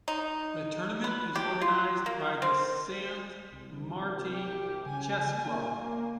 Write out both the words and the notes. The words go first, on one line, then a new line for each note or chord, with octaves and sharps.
The tournament is organized by the Sant Martí Chess Club.
D#4
B4
G4
F4
A#3
C4
C2
G4
C#3 G#5
A#3